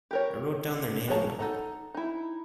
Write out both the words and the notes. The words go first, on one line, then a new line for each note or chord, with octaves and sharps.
I wrote down their name and number.
G4 A#4 C#5
F3 G#4 C#5 A5 A#5
D#4 G#4 A4 F#5 A#5
D#4 E4